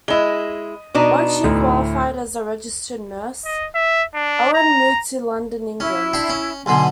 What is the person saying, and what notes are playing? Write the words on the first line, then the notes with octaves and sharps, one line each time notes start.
Once she qualified as a registered nurse, Owen moved to London, England.
G#3 E4 D#5 G7
B2 D4 D#4
D2 A2
D#5
E5
D4
A#5
C#4 E4
D4 G5 C6
C#4
B1 B2 D3 G#5 C6